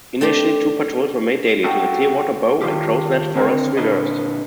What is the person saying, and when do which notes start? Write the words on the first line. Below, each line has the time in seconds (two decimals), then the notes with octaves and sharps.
Initially, two patrols were made daily, to the Clearwater, Bow and Crowsnest Forest Reserves.
0.21 A3 C4 D4 G4
1.64 F#4 A4 D#5 F#5 G5
2.62 D#3 F4 G4
3.34 D3 C4 A#4
3.77 A#2 D3 D4 A#4 B4 D#5